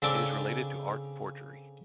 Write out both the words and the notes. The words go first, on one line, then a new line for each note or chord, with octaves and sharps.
It is related to art forgery.
C#3 C4 D4 A4 A5 D6